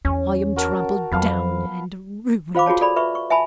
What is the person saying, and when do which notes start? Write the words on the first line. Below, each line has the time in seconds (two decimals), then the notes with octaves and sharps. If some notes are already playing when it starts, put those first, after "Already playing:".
'I am trampled down and ruined.
0.05 E2 C#4
0.56 F#4 A#4 A5
1.12 F2 F#3 B3 B4 F5 A5
2.55 F4 C5 F5 B5 D6
2.66 F4 F#4 G#4 C#5 A5
2.81 A4 D5 B5
2.96 B4 E5 B5 C#6
3.15 C#6
3.30 E5 G#5 A5 B5